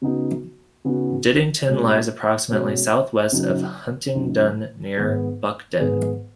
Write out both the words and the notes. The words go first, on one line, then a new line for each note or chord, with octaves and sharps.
Diddington lies approximately south-west of Huntingdon, near to Buckden.
C#3 B3 D#4 F#4
C#3 B3 D#4 F#4
B2 G#3 C#4 F#4 C#5
B2 G#3 C#4 F#4 C#5
F#2 C#3 F#3 D#4
F#2 C#3 F#3 D#4
G#2 D#3 B3 G#4 B4
G#2 D#3 B3 G#4 B4